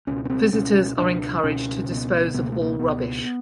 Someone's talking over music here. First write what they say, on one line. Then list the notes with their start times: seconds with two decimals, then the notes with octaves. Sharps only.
Visitors are encouraged to dispose of all rubbish.
0.07 C#2 B2 C#4
0.25 C#4
0.30 C4
0.53 C#2 B2 C#4
0.98 C#2 B2 D4
1.43 C#2 B2 C#4
1.88 C#2 B2
2.34 C#2 B2 B3
2.43 A#3
2.52 A3
2.61 A#3
2.79 C#2 B2 B3